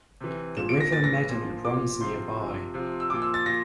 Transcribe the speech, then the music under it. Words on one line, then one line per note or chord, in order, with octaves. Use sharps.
The River Meden runs nearby.
C3 E3
A#2 F3 E7
D7
A#6
A2 E3 A6
A#6
A#2 F3
A#2 F3 D6
C3 F3 C6
C3 F3
C3 F3
E6
A#2 F3 D6
E6
A6
A#2 F3 A#6